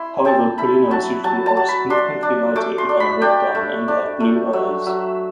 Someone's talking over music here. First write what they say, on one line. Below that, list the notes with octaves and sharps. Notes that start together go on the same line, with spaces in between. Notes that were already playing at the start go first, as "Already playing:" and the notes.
However, perlinos usually are significantly lighter than a red dun and have blue eyes.
Already playing: E4 C6 D6
C4 A5
E4 B5
F#3 A5
F#3 A5
A5
F#3
B5
D4 C6
D4
A3 D6
C6
D4
B5
D4 G5
A3
D4
A3
F#3 E5
F#3 E5